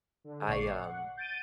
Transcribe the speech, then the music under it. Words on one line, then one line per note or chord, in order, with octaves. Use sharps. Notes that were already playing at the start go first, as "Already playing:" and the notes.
I, um,
D3
A1 A#2 D5 C#6 C7
F#5
G6 A6 D7 D#7